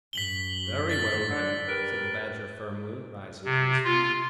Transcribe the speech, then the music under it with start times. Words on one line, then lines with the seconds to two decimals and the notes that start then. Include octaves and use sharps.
'Very well, then,' said the Badger firmly, rising to his feet.
0.13 F#2 B6 F#7 G7
0.89 A6 B6
1.30 D3
1.68 G4 A#4 B4
3.45 C3
3.84 F4